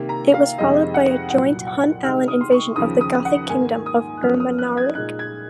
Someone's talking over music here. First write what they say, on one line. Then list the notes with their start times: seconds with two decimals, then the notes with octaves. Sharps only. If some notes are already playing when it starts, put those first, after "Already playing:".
It was followed by a joint Hun-Alan invasion of the Gothic kingdom of Ermanaric.
Already playing: C3 D#3 A#3
0.09 A#5
0.34 F5
0.58 F2 C3 D#3 G#3 C4 D#5
0.94 F#5
1.30 C2 A#2 F#3 F#5
1.67 F#5
2.03 C3 D#3 G#3 D#4 F6
2.28 D#6
2.41 C6
2.52 C#6
2.76 D#2 C#3 F3 D#6
3.01 D#6
3.25 F#5
3.49 G#2 D#3 A#3 G#5
3.86 D#6
4.17 F#6
4.22 F#2 F3 A#3 C#4 F6
4.40 D#6
4.58 F#6
4.77 G#6
4.95 A#2 G#3 D#4 F#6
5.19 G#6